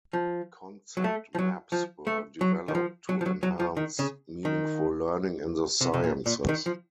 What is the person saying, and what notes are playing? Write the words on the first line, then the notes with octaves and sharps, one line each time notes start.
Concept maps were developed to enhance meaningful learning in the sciences.
F3
F#3
A3
F3
F#3
F3
A3
F#3
D#3
F3
F#3
F3
F#3
F#3
F3
D#3
C#3
D#3
C3
C3
A#2
A#2
D#3
F3